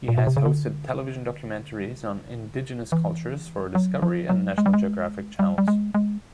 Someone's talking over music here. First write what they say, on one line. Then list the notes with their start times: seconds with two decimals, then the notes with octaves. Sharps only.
He has hosted television documentaries on indigenous cultures for Discovery and National Geographic channels.
0.08 A#2
0.18 B2
0.27 C3
0.37 C#3
0.45 D3
2.92 E3
3.75 F#3
4.02 F3
4.29 F#3
4.58 G#3
4.66 G3
4.73 G#3
5.39 G3
5.58 G3
5.68 G#3
5.95 G#3